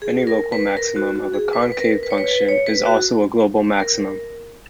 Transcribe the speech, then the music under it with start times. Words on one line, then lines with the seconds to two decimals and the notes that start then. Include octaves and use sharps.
Any local maximum of a concave function is also a global maximum.
0.02 G#4
0.27 A#4
0.52 B4
0.77 A#4
0.96 F#4
1.16 F#4
1.34 G#4
1.53 B4
1.72 B4
1.79 A#4
2.03 B4
2.10 C#5
2.18 B4
2.28 B4
2.48 C#5
2.66 B4
2.86 F#4
3.80 A#4